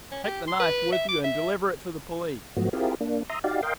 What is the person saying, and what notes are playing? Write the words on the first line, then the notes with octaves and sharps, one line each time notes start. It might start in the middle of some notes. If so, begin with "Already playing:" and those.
"Take the knife with you, and deliver it to the police."
C#4
G4
C6
B4
E5
D6
E5
G#2 F3 F#3 A3 B3 F#4
C4 E4 F4 G4 G#4 A#4
A#3 D4
E5 A#5 C6 D#6
D#4 F#4 G4 D5 F5
A#4 D#5 F5 G5 C6